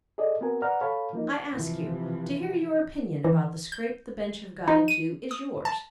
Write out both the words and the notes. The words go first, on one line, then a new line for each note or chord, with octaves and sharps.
I ask you: to hear your opinion about the scrape the bench have got into, is yours.
G#4 A4 D5 D#5
B3 C4 F#4 A#4 G#5
B4 D5 F#5 A#5 F6
A4 C#5 F5 A5 B5
F3 A#3 D#4
C3 E3 F3
E3
G6
D#4
D#7
D#6
A5